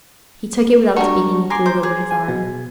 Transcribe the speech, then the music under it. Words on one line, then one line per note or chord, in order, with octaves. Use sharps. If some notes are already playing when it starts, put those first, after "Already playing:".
He took it without speaking, and threw it over his arm.
G3 D4 F#4 A#4 C#6
G#5 A#5 C6 D6
C5
G#4
G#5
B2